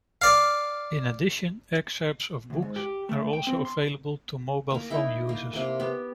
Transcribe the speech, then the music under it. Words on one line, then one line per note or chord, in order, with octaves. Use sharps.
In addition, excerpts of books are also available to mobile phone users.
D5 F5
D2
G#2
G4
A3
G5
C4
C6
A#3 A#4
D#4 E4 E5
A#3
C3 A#3
B3 G4